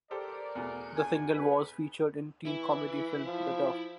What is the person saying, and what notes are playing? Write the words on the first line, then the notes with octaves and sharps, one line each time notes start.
The single was featured in teen comedy film The Duff.
G4 A4 A#4 C5 D5
E2 B2 A3
D4 G#5
B4
E3 E4
F3